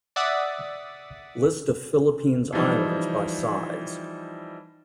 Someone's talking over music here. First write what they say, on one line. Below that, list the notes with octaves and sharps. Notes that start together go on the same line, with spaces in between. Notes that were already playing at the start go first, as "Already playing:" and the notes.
List of Philippines islands by size.
D5 E5 F#5 D#6 A6 B6
E3 F3 G3 D#4